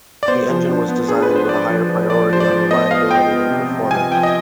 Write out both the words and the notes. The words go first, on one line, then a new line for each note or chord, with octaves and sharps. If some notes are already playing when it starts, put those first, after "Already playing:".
The engine was designed with a higher priority on reliability than performance.
D5
B3 C5
F3
D4
B3
D4 G#4
B4
D4
C5
D4 D5
F3
F3
F3 D5
F3 C5
D5
F3
B3 D#5
B3 F5
B3 G5
B3
C3
C3
C3 G#5
F3 G5
D#5